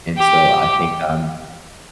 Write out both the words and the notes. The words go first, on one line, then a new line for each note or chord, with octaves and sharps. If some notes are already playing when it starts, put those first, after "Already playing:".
and so I think, um
G4